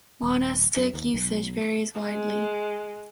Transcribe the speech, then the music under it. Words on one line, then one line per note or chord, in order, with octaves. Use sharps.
Monastic usage varies widely.
D#1
F#2
D#2
B1
G#3